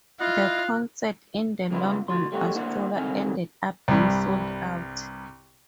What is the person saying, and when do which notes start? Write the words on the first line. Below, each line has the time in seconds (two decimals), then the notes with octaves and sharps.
The concert in the London Astoria ended up being sold out.
0.20 E4 F4 D#5 F5 F#6
1.70 G2 C#3 B3 E4 F4
2.08 D2 B2 F#4 C6
2.32 G3 A3 C4 E4 F#4
2.55 A#3 D4 E4 C5 F#5
2.96 C2 D3 D#3 G#3 C4 G#5
3.88 C2 G2